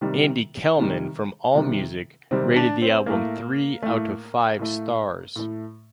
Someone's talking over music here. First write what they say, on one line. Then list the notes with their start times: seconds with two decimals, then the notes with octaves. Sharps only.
Andy Kellman from Allmusic rated the album three out of five stars.
0.01 C3 D#3 G3
0.77 C3 D#3 G3
1.54 C3 D#3 G3
2.31 C3 D#3 G3 C4
2.56 D4
2.82 C4
3.06 A2 A3 A#3
3.83 A2 A3
4.59 A2 A3
5.36 A2 A3